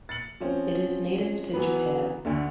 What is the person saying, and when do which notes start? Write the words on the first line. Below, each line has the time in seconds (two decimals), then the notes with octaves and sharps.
It is native to Japan.
0.09 A6 C#7 F#7
0.41 F3 C4 C#4
1.54 E3 F#3 B3 B4
2.25 D2 D3 A3